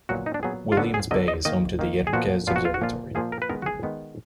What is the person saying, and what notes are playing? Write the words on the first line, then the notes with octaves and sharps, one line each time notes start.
Williams Bay is home to the Yerkes Observatory.
A#2 F#3 B3 F#4
D#4
D4
A#2 F#3 B3 G#4
F4
D3 F#3 B3 F#4
G#4
D3 F#3 B3 D#5
D#5
D#3 A#3 D#5
D#3 A#3
G#4
A#2 F3 B3 F#4
A#2 F3 B3 F4
F#4
F4
F#4
A#2 F3 A#3 F4
A#2 F3 A#3 G#4
A#4
B4
D#3 G#3 B3 A#4
F#4
G#4
D#3 G#3 B3